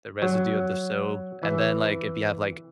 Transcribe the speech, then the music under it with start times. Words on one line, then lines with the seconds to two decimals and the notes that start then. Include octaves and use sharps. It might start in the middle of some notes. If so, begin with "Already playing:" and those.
the residue of the soap, and then, like, if you have, like,
0.22 F#3
1.43 E3